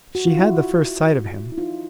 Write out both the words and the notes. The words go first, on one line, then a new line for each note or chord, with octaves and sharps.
She had the first sight of him.
F#4
F4
E4 F#4
E4
D#4 F4